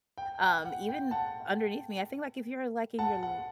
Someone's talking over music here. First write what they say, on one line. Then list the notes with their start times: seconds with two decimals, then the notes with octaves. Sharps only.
um, even underneath me. I think, like, if you're, like, in your l
0.18 G5
0.42 G5
0.65 F#5
0.89 G5
1.11 F#5 A5
2.99 F#5 A5
3.23 F#5